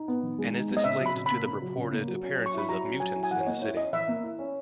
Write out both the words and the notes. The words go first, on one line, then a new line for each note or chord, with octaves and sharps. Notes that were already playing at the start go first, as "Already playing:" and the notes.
And is this linked to the reported appearances of mutants in the city?
Already playing: D#4
B3
D#3
G#3
D#4
B3
D#5
C#3 E5
F#3
B5
C#3
A#3 B5
C#3
F#3
C#3
A#3
F#3
C#4
F#3
C#6
E4 B5
F#3 A#5
C#4
F#3 G#5
E4
G#5
E3 F#5
C#5
A#3 D#5
E4 C#5
C#4 D#5
E3 E5
A#3
E4
C#4